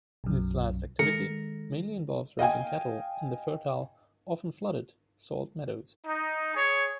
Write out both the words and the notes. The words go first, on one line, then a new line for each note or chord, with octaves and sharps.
This last activity mainly involves raising cattle in the fertile, often flooded, salt meadows.
B1 F#2
D#3 G#3 A4 A#4 C#7
D#5 F5 G5 G#5
D#4
G#4 C#5